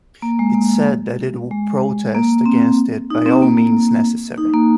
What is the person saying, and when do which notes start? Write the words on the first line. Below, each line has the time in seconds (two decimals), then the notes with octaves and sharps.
It said that it will protest against it by all means necessary.
0.22 A#3
0.39 G#3
0.55 A#3
1.51 G#3
2.15 A#3
2.46 C4
3.10 D#4
3.26 C4
3.42 A#3
3.58 A#3
4.38 D#4
4.54 A#3